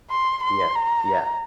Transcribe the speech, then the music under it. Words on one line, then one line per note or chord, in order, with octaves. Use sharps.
Yeah. Yeah.
C6
C6
A#5